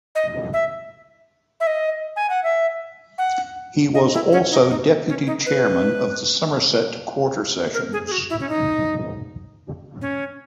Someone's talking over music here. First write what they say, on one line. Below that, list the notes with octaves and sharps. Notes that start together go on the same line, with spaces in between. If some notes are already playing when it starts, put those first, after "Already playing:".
He was also Deputy Chairman of the Somerset Quarter Sessions.
D#5
E5
E5
D#5
G#5
F#5
E5
F#5
D#5
E4
C#4
D#4
D#4
C#4
D#4
B4
A#4
G#4
G#4
F#4
E4
C#4
D#4
C#4